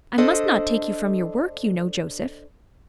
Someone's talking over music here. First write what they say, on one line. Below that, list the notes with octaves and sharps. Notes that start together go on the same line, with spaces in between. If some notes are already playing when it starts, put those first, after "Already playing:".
"I must not take you from your work, you know, Joseph."
D4 A4 C5 D#5